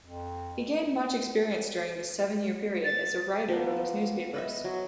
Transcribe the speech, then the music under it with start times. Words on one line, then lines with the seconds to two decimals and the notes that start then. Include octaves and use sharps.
He gained much experience during this seven-year period as a writer for those newspapers.
0.05 F2
2.84 A6
3.49 F3 A#3 B3
4.34 B4 D#5 E5
4.64 F#3